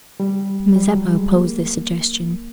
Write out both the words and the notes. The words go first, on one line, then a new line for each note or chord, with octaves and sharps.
Mazeppa opposed this suggestion.
G3
G3
F#3
G#3
A#3